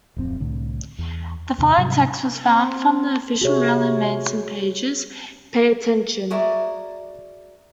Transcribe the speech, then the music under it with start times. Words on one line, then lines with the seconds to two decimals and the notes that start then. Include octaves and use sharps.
The following text was found from the official Marilyn Manson pages: Pay attention!
0.16 D1 F2 C4
0.40 C2 A2 D3
0.98 E2
1.58 D#2 C3
1.77 G#2 C3 F#3 G3
2.45 C4
3.41 C3 F#4 G#4 C#5
6.31 F#4 G#4 A#4 D5 E5